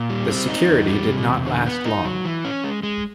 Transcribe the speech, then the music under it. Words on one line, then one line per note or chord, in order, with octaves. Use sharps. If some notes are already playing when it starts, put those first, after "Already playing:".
This security did not last long.
Already playing: A#2
G3
C4
D#4
E2
G3
C3
E2
D3
B3
D#4
F#3
E3
C#4
G#3
G#3